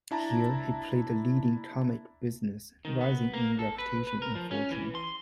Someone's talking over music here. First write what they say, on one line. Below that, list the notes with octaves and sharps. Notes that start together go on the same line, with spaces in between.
Here he played the leading comic business, rising in reputation and fortune.
D4 E4 A5 A#5
D#3
B3
A#3
A4
B4
B4
A#4
F3
C#4
E3
C6